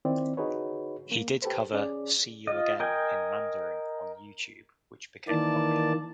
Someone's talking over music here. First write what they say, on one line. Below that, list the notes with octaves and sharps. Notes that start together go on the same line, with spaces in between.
He did cover "See You Again" in Mandarin on Youtube which became popular.
D#3 C4 E4 D5
D#4 F#4 G#4 B4 C#5
A#3
G4 A4 B4 C5
C#4 G#4 D5
F4 D#5
A#4 D#5 G5 G#5
D#3 E3 A#3 D5 A5